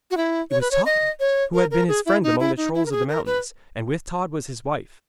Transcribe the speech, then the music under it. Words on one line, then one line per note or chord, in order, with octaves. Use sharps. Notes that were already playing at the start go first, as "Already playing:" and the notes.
It was Tod, who had been his friend among the trolls of the mountains, and with Tod was his wife.
F#4
E4
C#5
B4
C#5
D#5
C#5
A#4
A#4
G#4
E4
D#4
E4
D#4
E4
A#4
G#4
A#4
B4